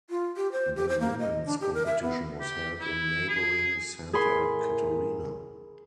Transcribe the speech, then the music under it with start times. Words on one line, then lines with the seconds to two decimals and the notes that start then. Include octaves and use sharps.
The women's competition was held in neighboring Santa Caterina.
0.10 F4
0.37 G4
0.52 C5
0.76 G4
0.89 C5
1.00 A#3
1.20 D#5
1.46 D4
1.61 G4
1.74 A#4
1.86 E5
2.03 B3
2.41 G4
2.81 E4
3.29 G#4
4.13 A2 E4 G#4 A#4 B5 C6